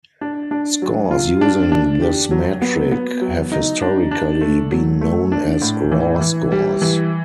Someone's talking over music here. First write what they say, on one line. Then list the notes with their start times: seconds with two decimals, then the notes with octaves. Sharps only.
Scores using this metric have historically been known as "raw" scores.
0.21 D4
0.51 D4
0.82 F#3
1.11 F4
1.41 D4
1.72 D4
2.02 G4
2.31 F#3
2.62 B3
2.91 B3
3.21 F#3
3.52 D#4
3.82 D4
4.11 D4
4.41 A3
4.72 F#3
5.01 A3
5.32 D4
5.62 A2
5.92 E3
6.21 E3
6.52 G3
6.82 E3